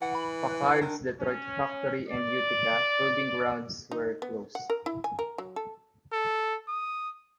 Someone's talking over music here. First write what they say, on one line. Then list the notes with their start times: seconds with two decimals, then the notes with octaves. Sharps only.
Packard's Detroit factory and Utica proving grounds were closed.
0.02 E3 F#5
0.15 B5
0.47 B4
0.81 D#3 D4
1.19 C#4
2.08 D5
3.92 D#4
4.22 B3
4.55 F#5
4.70 A#4
4.86 E4
5.04 G#5
5.19 A#4
5.38 F#3
5.56 A4
6.13 A4
6.68 D#6